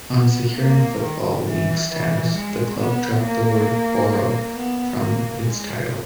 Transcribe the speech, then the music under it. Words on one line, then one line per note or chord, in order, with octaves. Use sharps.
On securing Football League status, the club dropped the word 'Borough' from its title.
B3
A#3
D#3
E3
E3
G#3
B3
A#3
B3
A#3
G#3